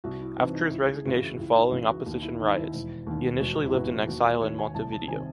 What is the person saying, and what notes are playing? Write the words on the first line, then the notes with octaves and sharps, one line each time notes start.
After his resignation following opposition riots, he initially lived in exile in Montevideo.
C2 F#4
E4
C3 E3 D#4
D#4
C#2 E4
G#4
C#3 E3 F#4
E4
C#2 E4
D#4
C#3 E3 E4
F#4
D#2 D#4
E4
D#3 D#4
E4
E1
D#2 D#3
E1 F#4
E4
E2 C#3 E3 F#4
D#2 F#4
D#3 C#5
G#5
C2 A5
A5
C3 D#3 G#5